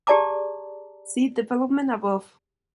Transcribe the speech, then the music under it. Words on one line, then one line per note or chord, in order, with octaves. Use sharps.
See Development above.
G4 G#4 D5 A5 A#5 D6